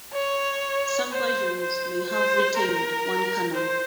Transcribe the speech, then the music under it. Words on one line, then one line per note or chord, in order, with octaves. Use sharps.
Some versions may have retained one cannon.
C#5
C5
C5
C5
A#4
C5